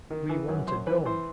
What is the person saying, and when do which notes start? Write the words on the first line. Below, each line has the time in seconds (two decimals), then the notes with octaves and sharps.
We want a dome!
0.10 D#3
0.29 E3
0.49 F#2
0.68 F#2 C5
0.87 E3 B4
1.06 E3 C5